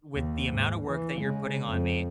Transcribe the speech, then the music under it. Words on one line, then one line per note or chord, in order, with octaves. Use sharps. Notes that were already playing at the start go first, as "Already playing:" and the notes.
with the amount of work that you're putting on me,
D#2
G#2
E3
C#3 G#3
F2